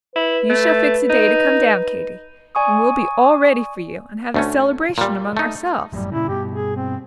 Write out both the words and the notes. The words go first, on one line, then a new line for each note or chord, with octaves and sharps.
You shall fix a day to come down, Katy, and we'll be all ready for you, and have a 'celebration' among ourselves.
E4 B4
A3
D#4
D5 G#5 C#6 D#6
D2 A3 C#4
A#2 G3
A3 D#4
G1 F#2 A2 G3
A#2 C#3 E4
G2 B2 G4
G#4
C4